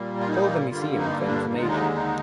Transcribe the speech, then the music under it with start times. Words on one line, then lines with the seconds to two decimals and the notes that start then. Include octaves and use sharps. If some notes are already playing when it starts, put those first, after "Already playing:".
Call the museum for information.
Already playing: A#2 G3 A#3
0.20 F4
0.29 D#4
0.70 G2 D3 G3 A#3 F4
0.98 D#4
1.26 D4
1.53 D#2 D3 G#3 D#4
1.61 F4
1.68 D#4
1.95 D#4